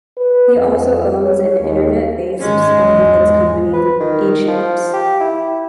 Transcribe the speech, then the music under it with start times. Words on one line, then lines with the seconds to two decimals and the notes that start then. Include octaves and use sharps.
He also owns an internet-based sporting goods company, E Champs.
0.17 B4
0.56 F2
1.23 C#5
1.60 D#2
2.40 G#2 D#3 G#3 C#4
2.80 E2 G#2
3.73 B4
4.00 D#3
4.48 F3
4.93 G4
5.20 E4